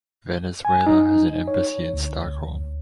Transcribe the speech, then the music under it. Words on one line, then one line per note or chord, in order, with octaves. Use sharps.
Venezuela has an embassy in Stockholm.
G#5
D#4
C#5
D2